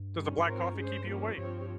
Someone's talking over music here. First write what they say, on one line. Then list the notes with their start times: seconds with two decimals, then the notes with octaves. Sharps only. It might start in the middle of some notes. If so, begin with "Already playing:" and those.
Does the black coffee keep you awake?
Already playing: G2
0.16 D#3 G3 C#4
0.38 G2
0.47 G#2 C4 F4 A#4 C#5
0.63 G2
0.77 G#3 C#4 G#4 C5
1.07 F3 A#3 C#4 F4
1.38 G2 F3 C4 G4 C#5